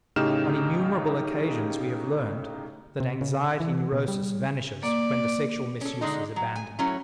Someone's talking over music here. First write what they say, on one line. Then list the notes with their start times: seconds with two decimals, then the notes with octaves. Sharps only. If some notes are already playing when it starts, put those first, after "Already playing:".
On innumerable occasions we have learned that anxiety neurosis vanishes when the sexual misuse is abandoned.
0.16 A2 C#3 D#4 G4 F6 E7
3.00 C3
3.21 C#3
3.60 E3
3.93 B2
4.08 G3
4.83 A#3 D5
5.81 C#4 A4
6.01 D3 G#3 D#4
6.36 F#3
6.55 G#5
6.79 F#3 A3 C#4 E4